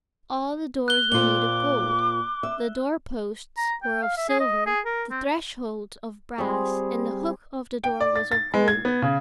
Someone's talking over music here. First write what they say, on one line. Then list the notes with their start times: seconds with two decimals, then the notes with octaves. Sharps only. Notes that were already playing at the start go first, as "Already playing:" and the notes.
All the doors were made of gold, the doorposts were of silver, the thresholds of brass, and the hook of the door was of gold.
0.88 F#6 G7
1.12 A#2 C4 F4 D6 G7
2.43 E5
3.58 A#5
3.83 G5
4.03 F5
4.17 E5
4.29 G#4
4.40 D#5
4.66 G#4
4.86 A#4
5.10 C4
6.38 G3 C4 G#4
7.84 G5
8.00 D5
8.16 A6
8.32 A6
8.54 G#3
8.68 G#6
8.85 B3
9.02 C#3